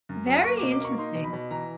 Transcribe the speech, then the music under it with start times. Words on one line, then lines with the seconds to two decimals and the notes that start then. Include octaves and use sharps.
Very interesting.
0.09 F#2
0.26 F#3
0.44 A#3 C#6
0.57 D6
0.62 B2
0.71 D6
0.80 A#3 C#6
0.98 D#4 C6
1.15 B2
1.24 B5
1.33 B2
1.51 E3 A#5